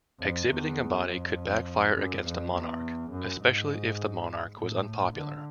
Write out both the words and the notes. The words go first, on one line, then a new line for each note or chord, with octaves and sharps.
Exhibiting a body could backfire against a monarch, especially if the monarch was unpopular.
F2
E2
F2
F#2
F2
E2
F#2
G#2
A2
D3